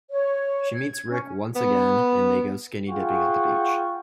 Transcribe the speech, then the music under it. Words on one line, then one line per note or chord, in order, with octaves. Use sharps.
She meets Ric once again and they go skinny dipping at the beach.
C#5
G#6
C#4
B3
F4 G#4 F#5 G5 C#6